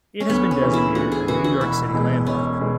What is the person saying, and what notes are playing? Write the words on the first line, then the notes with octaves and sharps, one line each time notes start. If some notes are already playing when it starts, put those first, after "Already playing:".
It has been designated a New York City landmark.
C#4
D2 B3
C#4
C#3 E3
E4
D2 F#4
G#4
C#3 E3 F#4
F#4
E1 E4
E2 B2 G#3
E1 C#4
B2 G#3